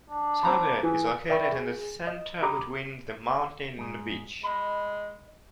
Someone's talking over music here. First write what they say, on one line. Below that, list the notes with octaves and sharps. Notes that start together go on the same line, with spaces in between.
Sabya is located in the center between the mountain and the beach.
D4
C4 A#5 B5
E3 G#4
D5 E5 G5 B5 C#6
G#4
D#5
G4 A#5 B5 D6 D#6
G#2 G#3
G#3 D#5 B5